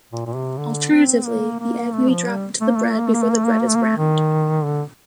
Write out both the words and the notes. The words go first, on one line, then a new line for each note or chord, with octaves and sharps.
Alternatively, the egg may be dropped into the bread before the bread is browned.
A#2
A#2
C3
D3
C4
A#3
A#3
A3
F3
G3
A3
A#3
A3
A#3
A3
A#3
A3
A#3
A3
A#3
A3
A#3
A3
A#3
A3
A#3
A3
D#3
D3